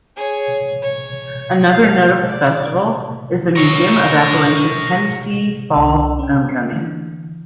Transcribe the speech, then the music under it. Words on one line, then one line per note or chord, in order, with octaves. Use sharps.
Another notable festival is The Museum of Appalachia's Tennessee Fall Homecoming.
G#4 C#5
C#5
F5
D5
A#4 C#5
C2 D4 E6
C#4 G5
D3 E3